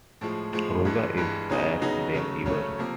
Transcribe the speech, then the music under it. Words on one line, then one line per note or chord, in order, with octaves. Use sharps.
Rosa is shyer than ever.
A2 F3 G#3
A2 F3 G#3
G2 E3 G#3
G2 E3 G#3
C#3 F#3 B3 D#4 G#4
C#3 F#3 B3 D#4 G#4
C#3 F#3 A3 C#4
C#3 F#3 A3 C#4
C3 F3 A#3